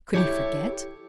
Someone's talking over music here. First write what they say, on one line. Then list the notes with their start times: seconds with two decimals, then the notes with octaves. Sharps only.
Could he forget?
0.14 E4 G4 A4 C#5